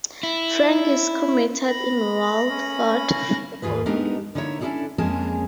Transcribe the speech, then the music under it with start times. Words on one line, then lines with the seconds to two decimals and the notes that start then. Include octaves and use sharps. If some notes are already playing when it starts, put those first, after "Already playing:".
Frank is cremated in Walford the following day.
0.23 E4
1.67 B5 A#6
2.50 C#4
3.62 D#2 G#2 C#3 F4 G#4 B4
3.86 G#3 B3 D4 D#4 G4 A#4
4.35 D3 A#3 D#4 E4 C#5
4.61 C#4 D4 E4 G#4 A4 D5
4.98 F2 G#3 A#3 C#4 G#4 A5